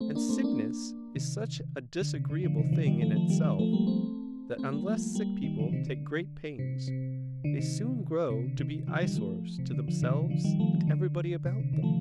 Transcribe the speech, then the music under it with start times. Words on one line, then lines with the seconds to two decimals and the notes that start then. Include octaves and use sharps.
And sickness is such a disagreeable thing in itself, that unless sick people take great pains, they soon grow to be eyesores to themselves and everybody about them.
0.01 A3 C4
0.15 A#3 D4
0.29 A3 C4
0.44 A#3 D4
1.16 C3 D#3
2.01 D3
2.16 C3
2.30 D3
2.44 D3 F3
2.58 C3 D#3
2.72 D3 F3
2.87 D#3 G3
3.01 F3 A3
3.16 F3 A3
3.30 D#3 G3
3.44 D#3 G3
3.59 F3 A3
3.73 G3 A#3
3.87 A3 C4
4.58 A3 C4
4.72 G3 A#3
4.87 F3 A3
5.15 G3 A#3
5.44 D#3 G3
5.59 D3 F3
5.73 C3 D#3
5.87 D3
6.59 C3
6.88 C3
7.44 D3
7.58 C3 D#3
8.30 C3
8.44 D3
8.59 C3 D#3
8.87 D3 F3
9.02 D#3 G3
9.16 F3 A3
9.59 C3
9.73 D3
9.88 D3 F3
10.02 C3 D#3
10.30 D3 F3
10.44 D#3 G3
10.60 F3 A3
10.87 D3
11.46 C3
11.60 D3
11.73 C3 D#3
11.83 F3 A3